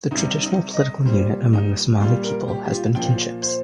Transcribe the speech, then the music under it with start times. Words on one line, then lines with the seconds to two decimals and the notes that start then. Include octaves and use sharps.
The traditional political unit among the Somali people has been kinships.
0.11 C3 G3 D#4
0.42 D#4
0.74 D#5
1.05 A#2 G3 C5
1.53 D#4
2.00 A#2 G3 F4
2.24 A#4
2.48 G4
2.64 G4
2.71 F4
2.95 A#2 F3 G5
3.42 C5